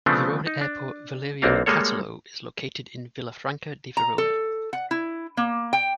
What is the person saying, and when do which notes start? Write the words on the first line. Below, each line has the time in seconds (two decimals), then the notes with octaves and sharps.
Verona Airport "Valerio Catullo" is located in Villafranca di Verona.
0.06 C#3 F3 A3 B3 C4 D4
0.47 D#4
0.61 D4
1.42 B1 A#3 C4 D4 F#4 F5
1.66 G3 G#3 A#3 A4 C#5
3.97 A#5
4.18 A4
4.73 F#5
4.91 E4
5.37 A#3
5.73 G5